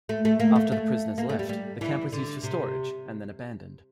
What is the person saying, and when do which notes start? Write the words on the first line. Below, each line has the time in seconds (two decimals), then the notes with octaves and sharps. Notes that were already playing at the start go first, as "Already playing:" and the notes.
After the prisoners left, the camp was used for storage and then abandoned.
0.09 A3
0.25 A3
0.40 A#3
0.56 A3
0.72 A3
1.18 A#3
1.29 A3
1.39 G3
1.49 G3
1.81 E3
2.13 D3
2.43 C3